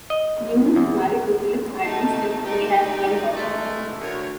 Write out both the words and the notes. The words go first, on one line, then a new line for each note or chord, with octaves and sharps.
Newell is married to Phillip Adams and they have one daughter.
D#5
E2
A3 D#4 A5
D2 A3 D#4 G4 D5
G#3 A3
D2 A#4 C#5